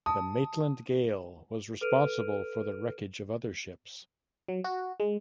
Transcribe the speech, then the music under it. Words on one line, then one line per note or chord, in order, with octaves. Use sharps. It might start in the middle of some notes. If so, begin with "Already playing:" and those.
The "Maitland Gale" was responsible for the wreckage of other ships.
A5 D#6
A4 B4 F6 D7 D#7 F7
F#3
F#4
G#3